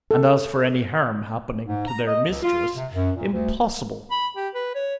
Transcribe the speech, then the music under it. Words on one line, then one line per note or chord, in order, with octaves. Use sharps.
And as for any harm happening to their mistress--impossible!
A4
G#2
A#5
D#5
C#2
F4
C3
F#2
A#2
D2
B5
G4
B4
C#5